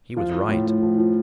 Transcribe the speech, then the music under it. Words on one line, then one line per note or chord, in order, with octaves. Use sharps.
He was right.
F3 F4
F3
A2
A2
F3
F3